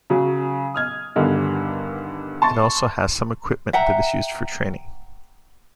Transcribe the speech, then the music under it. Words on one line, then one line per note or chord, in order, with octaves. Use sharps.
It also has some equipment that is used for training.
C#3 F#3
D#6 F6 G#6
E2 G2 D3 D#3
A5 C6 C#6 A6
E5 F#5 G5 A#5